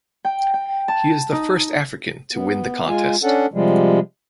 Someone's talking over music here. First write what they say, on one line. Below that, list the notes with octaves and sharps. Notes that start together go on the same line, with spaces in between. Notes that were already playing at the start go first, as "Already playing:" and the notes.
He is the first African to win the contest.
G5
G5
A5
D#4
B3
G#3 F4 G#5
C#4 D4 A4 F#5
C3 F3 G3 G#3